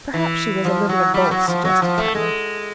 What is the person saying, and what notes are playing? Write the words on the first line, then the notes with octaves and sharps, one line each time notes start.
"Perhaps she was a little of both," suggested Putney.
E3
F3
F#3
G3
F#3
F3
F#3
F3
A3
G#3